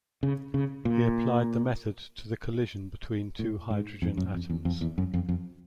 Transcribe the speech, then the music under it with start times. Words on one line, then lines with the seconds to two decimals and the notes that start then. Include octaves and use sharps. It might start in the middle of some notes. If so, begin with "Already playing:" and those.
He applied the method to the collision between two hydrogen atoms.
0.23 C#3
0.54 C#3
0.85 A#2
3.39 A2
3.70 G#2
4.02 F2
4.17 F#2
4.34 F2
4.50 E2
4.65 F2
4.81 E2
4.98 F#2
5.14 F2
5.29 F2